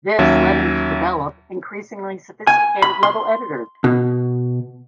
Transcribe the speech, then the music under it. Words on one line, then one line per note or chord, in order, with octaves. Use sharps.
This led him to develop increasingly sophisticated level editors.
D#2 F#3 C#4 E5
G#5
B5
C6
B2